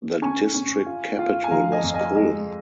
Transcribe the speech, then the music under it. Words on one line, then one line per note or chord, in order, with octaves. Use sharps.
The district capital was Kulm.
C#4 G#5 C#6
C#4
F4
F4
G#5
F3 F5 A#5
D#5 G#5
F2
D#5 G#5
G#3 D#5